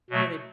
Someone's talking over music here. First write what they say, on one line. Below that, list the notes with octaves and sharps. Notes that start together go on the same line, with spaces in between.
Where they
B2 F#3 A3